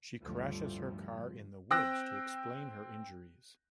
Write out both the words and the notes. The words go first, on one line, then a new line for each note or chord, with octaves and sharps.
She crashes her car in the woods to explain her injuries.
G1 D2 A2 F3 G3
C4 G5 E6 F#6 A#6